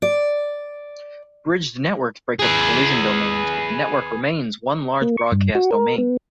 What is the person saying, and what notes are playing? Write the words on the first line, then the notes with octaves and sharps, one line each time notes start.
Bridged networks break up collision domains, but the network remains one large broadcast domain.
D5
G#4 B4
A#3
C#6
G2
F#4
A#4
B3